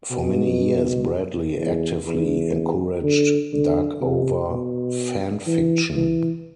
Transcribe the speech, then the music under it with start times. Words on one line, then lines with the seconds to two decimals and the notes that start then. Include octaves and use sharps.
For many years, Bradley actively encouraged Darkover fan fiction.
0.11 B2
1.57 E2
2.06 E2
3.03 D3
3.53 D3
4.01 C3
4.49 B2
5.47 E3
5.95 E3